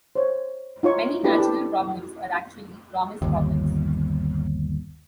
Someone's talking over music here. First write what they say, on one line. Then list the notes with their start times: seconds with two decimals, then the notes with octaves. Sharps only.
Many natural problems are actually promise problems.
0.15 C5 C#5
0.83 D#4 F4 C#5 C#6
1.23 D4 E4 G4 A4 B4
1.38 G4 A5
3.22 G1 D#2